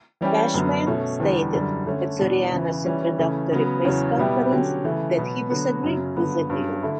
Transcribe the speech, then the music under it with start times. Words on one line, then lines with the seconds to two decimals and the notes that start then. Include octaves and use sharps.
Cashman stated at Soriano's introductory press conference that he disagreed with the deal.
0.21 E3 G3 C#4 G4
0.54 F#2 D3 F#3 B3
0.87 B2 A3 C#4
1.20 E2 D3 G3
1.53 F#2 D3 G3
1.86 D3 A3 C#4
2.19 E2 B2 G3 D4 F#4
2.52 E2 C#3 E3
2.86 E3 G3 C#4
3.19 C#3 E3 A3 C#4
3.52 C#3 F#3 B3
3.85 E2 C#3 F#3 C#4
4.18 B2 G3 B3 E4 G4
4.51 D3 F#3 C#4 G4
4.84 C#3 E3 A3
5.17 B2 F#3 B3
5.50 D3 F#3 B3 F#4
5.83 F#2 C#3 F#3
6.16 G2 D3 F#3 B3
6.50 G2 F#3 C#4
6.83 D3 A3 E4